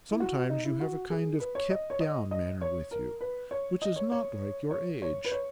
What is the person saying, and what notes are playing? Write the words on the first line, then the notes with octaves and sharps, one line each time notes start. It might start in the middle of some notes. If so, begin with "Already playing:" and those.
Sometimes you have a kind of kept-down manner with you, which is not like your age.
E4
F#4
D#4
E4
F#4
G#4
B4
C#5
D#5
C#5
D#5
D#5
C#5
A#4
B4
C#5
D#5
C#5
C#5
C#5
C#5
B4
C#5